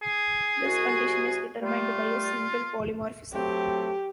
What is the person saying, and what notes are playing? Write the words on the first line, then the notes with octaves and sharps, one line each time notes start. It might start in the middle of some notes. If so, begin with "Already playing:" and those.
This condition is determined by a single polymorphism.
G#4
C2 F#4
G3 A3 F4
F#3 A3 C4 G4